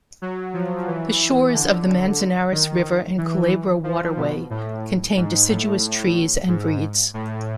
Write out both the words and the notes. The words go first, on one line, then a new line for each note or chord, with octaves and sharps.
The shores of the Manzanares River and Culebro Waterway contain deciduous trees and reeds.
F#3
F3
E3
D3
D#3
E3
F3
B2
A2
G#2
A2
G#2
A2